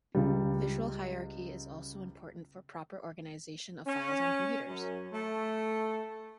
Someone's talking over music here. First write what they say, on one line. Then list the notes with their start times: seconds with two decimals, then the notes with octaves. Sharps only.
Visual hierarchy is also important for proper organization of files on computers.
0.15 C#2 G3
3.87 C#4
4.67 F#2
5.13 A3